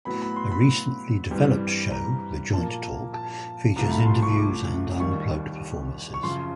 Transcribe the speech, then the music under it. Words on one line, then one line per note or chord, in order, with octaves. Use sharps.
A recently developed show "The Joint Talk", features interviews and unplugged performances.
A2 F#3 B3 B5
B5
C6
B5
G2 E3 G3 C4
A#5
A#2 F3 A#3 A5
A5
C2 C3 F3 A3 A#5
B5
C6
C#6
D6
D#2 D#3 G3 C#6
C#6
F#2 C#3 F3 C6